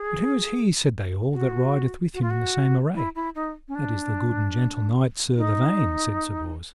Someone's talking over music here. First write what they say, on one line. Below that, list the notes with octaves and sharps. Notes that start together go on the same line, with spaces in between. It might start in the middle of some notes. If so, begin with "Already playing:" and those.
But who is he, said they all, that rideth with him in the same array? That is the good and gentle knight Sir Lavaine, said Sir Bors.
Already playing: G#4
F#4
F#4
F4
F#4
E4
E4
D#4
C#4
D4
D#4